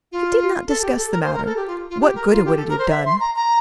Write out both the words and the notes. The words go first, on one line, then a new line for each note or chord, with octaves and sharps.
He did not discuss the matter--what good would it have done?
F4
A4
G4
A4
A#4
C5
A#4
A4
G4
F4
F4
G4
A#4
F4
G4
A4
A#4
C5
E5
C6
A#5
A#5